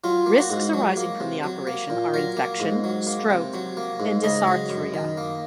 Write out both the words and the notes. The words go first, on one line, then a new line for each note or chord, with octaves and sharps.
Risks arising from the operation are infection, stroke and dysarthria.
F#3 F4
A#3
F#4
G#2
F#3
A#3
C3
F#3
A#3
A#2
F#3 A#4
A#3
G#2
F#3
A#3
C3
F#3
A#3
G#2
C#3 D#5
F#3
F#2
D#3
A#3